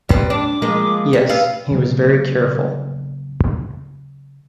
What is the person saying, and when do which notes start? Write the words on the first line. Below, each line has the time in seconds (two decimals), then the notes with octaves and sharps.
Yes, he was very careful.
0.09 G3 C4 B4
0.30 D4 D6
0.62 F3 G#3 A#3
1.13 G4
1.29 B3 F5 E6
1.71 C#3 F#3 A#3